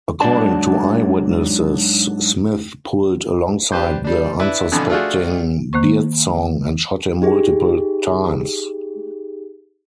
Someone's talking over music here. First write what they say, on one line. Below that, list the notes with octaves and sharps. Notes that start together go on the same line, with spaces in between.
According to eyewitnesses, Smith pulled alongside the unsuspecting Byrdsong and shot him multiple times.
G#2 F#3 D4 D5 A5
D4 G4 B4 C5
G3 D4
D4 E4 B4
F2 B2 D3 E3
A3 D4 F4 F#4 G#4
D#3 A#3 C5 C#6
D#4 G4 G#4